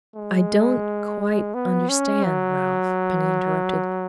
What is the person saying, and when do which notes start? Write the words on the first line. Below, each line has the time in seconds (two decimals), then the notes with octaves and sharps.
"I don't--quite understand, Ralph," Penny interrupted.
0.16 G#3
1.54 B3
1.89 C#4
2.24 F#3